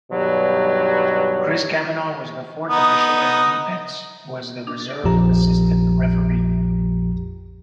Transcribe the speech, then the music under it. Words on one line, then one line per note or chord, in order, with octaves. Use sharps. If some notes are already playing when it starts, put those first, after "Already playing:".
Chris Kavanagh was the fourth official and Lee Betts was the reserve assistant referee.
G2 B2 D#3 F#3 G3
B3 D#4 D#6
A#1 F2 A#2 F3 G4 A#5